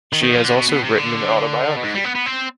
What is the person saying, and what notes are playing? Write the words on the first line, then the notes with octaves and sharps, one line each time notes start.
She has also written an autobiography.
D#3
D#3
F3
D3
B2
B2
C3
D3
B2
G#2
G3
B3
B3
C4